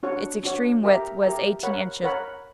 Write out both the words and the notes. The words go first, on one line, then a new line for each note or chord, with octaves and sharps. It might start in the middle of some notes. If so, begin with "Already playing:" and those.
Its extreme width was eighteen inches.
D4 F#4 C#5 F#5
D4 F#4 C#5 F#5
G4 A#4 E5 A#5
G4 A#4 E5 A#5
A#4 C#5 F#5 B5
A#4 C#5 F#5 B5